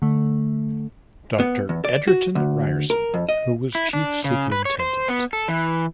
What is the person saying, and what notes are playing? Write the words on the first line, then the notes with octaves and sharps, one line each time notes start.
Doctor Egerton Ryerson, who was Chief Superintendent.
D3 A3
B3
E2
D5
F#4
D2
A#4
F2
D#5
E4
D4
C#3
B4
C#5
C5
B3
A4
E3